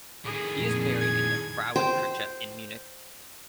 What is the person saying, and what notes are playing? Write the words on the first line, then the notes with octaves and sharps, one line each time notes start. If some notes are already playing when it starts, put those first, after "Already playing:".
He is buried in the Frauenkirche in Munich.
A2 D#3 G#4
F2 A#2
G#6
C5 G5